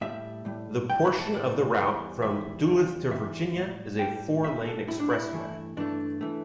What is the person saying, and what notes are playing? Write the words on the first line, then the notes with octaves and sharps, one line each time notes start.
The portion of the route from Duluth to Virginia is a four-lane expressway.
A2 G3 E5
A2 G3
A2 G3 G5
B5
A5
A2 G3 D5
E2 E3 G3
E2 E3 G3 E5
E2 E3 G3
E2 E3 G3 E5
A2 G3
A2 G3 G5
A2 G3 E5
A4
A2 G3 E4
D4
E4
G2 E3 A3
G2 E3 A3 D4
E3 A3